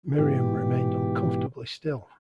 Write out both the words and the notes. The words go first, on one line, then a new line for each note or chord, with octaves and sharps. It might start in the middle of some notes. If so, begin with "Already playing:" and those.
Miriam remained uncomfortably still.
G#2 B2 E3 G4